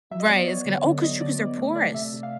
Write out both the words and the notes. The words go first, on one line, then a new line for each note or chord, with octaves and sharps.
Right, it's gonna Oh, 'cause True, 'cause they're porous.
F#3 E5
D#5
B3 D5
D#5
B3 C#5
D3
D3
F#3 D#5
D3 D5
B3 D5
A3
A3 D5
C3 E5
C3
F5